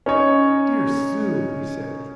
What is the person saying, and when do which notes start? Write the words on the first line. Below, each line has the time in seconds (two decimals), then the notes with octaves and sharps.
"Dear Sue!" he said.
0.06 C#4 D#4 C#5